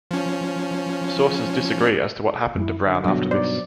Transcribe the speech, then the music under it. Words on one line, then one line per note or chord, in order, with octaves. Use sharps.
Sources disagree as to what happened to Brown after this.
F3 C#4
F#2 E4
D3
G2 B2 D3 F#3
D#4 C5 D5